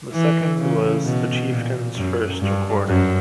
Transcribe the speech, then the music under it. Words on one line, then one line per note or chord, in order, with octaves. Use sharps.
The second was the Chieftains first recording.
E3
C#3
B2
A#2
F#2
G2
F#2